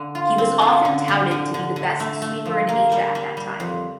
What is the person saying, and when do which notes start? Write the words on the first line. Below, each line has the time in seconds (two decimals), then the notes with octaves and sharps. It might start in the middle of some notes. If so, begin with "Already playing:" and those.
He was often touted to be the best sweeper in Asia at that time.
Already playing: D3
0.15 F4
0.38 C4
0.62 F4
0.85 D3
1.08 D3
1.31 D3
1.54 D3
1.76 D3
2.00 A3
2.22 A3
2.46 F3
2.69 A#3
2.92 G3
3.15 G3
3.37 G3
3.60 F2